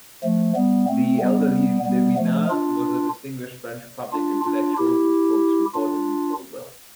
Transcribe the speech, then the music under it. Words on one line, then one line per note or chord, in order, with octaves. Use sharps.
The elderly Levinas was a distinguished French public intellectual, whose books reportedly sold well.
F3 A3
G3 B3
A3 C4
G3 B3
G3 B3
F3 A3
D4 F4
D4 F4
D4 F4
E4 G4
D4 F4